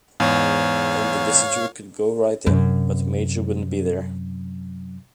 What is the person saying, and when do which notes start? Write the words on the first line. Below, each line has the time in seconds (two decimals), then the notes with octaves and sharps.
Then the visitor could go right in, but Major wouldn't be there.
0.20 E2 G#2 C#5 F5
2.46 F#2 C3